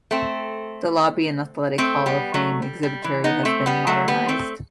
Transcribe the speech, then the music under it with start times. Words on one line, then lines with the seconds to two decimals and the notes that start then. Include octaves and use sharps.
The lobby and Athletic Hall of Fame exhibitry have been modernized.
0.11 A3 C4
1.78 A3 C4
2.06 G3 B3
2.34 F#3 A3
2.62 G3
2.83 G3
3.04 E3
3.24 B3 D#4
3.45 A3 C4
3.66 G3 B3
3.87 F#3 A3
4.08 G3 B3
4.28 A3 C4